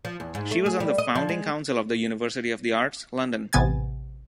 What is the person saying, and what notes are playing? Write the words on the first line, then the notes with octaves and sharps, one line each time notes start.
She was on the founding Council of the University of the Arts, London.
F3
E2
G#2
A3
G#4
G3
D#5
F3
G#3
A1 C3 B3 G#5 G#6 A6